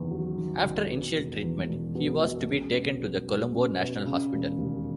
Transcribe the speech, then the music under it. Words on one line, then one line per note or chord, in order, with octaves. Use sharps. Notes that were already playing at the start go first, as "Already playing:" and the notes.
After initial treatment, he was to be taken to the Colombo National Hospital.
Already playing: F#1 E2 D#3
F#3
D#3
F#1
B2
E1
E2
E1
B2
E1
C#4
B2
F#3
B2
C#4
B2
C#3
E1
D#2